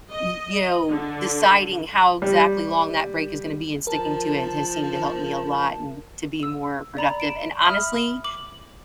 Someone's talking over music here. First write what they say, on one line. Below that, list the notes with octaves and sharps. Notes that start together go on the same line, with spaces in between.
l yo deciding how exactly long that break is gonna be and sticking to it, has seemed to help me a lot, and to be more productive, and honestly,
D#5
D3
G3
F3 A#4 A5
E6
D5 A#5 B5
D7 E7
E5 B5 D#6 F6
D6 F#7